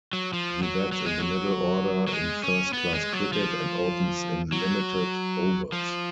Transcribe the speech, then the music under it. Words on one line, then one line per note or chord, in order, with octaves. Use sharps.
He bats in the middle order in first-class cricket and opens in limited-overs.
F#3
F3
F#3
F#3
G#3
F#3
F#3
G#3
C#4
B3
G#3
F#3
F3
F#3
F3